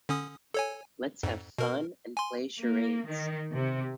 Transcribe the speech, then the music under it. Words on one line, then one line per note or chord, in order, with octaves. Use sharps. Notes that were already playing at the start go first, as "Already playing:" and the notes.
Let's have fun and play charades.
D3 C#4 D#6
A4 C#5 G#5
F2 G#2
B2 A#4
G#5 C6
A#3
D#3
C3